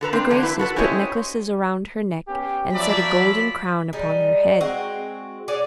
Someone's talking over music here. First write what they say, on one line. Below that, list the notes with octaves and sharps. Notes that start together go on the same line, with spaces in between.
The Graces put necklaces around her neck and set a golden crown upon her head.
D3 A4 B4 A#5
C4 D4
D3 E3 F#3 A#3 D4
E4 B4
F#4 A4 B4
C#4 E4 G4 C5 C#5 D#5
B3 C#4 G4
F3 F#3 D5 E5 B5
G3 G#3 D#4
G#3 C4 F#4
F#4 G#4 C#5 D5